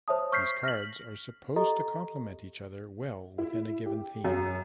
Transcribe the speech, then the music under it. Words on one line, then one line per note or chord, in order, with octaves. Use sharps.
These cards are supposed to complement each other well within a given theme.
C5 C#5 E5 A5 D#6
C#6 F6 G6 B6 C7
F6 A#6 B6 F#7
G4 A4 D#5 A#5
E4
G4
F#2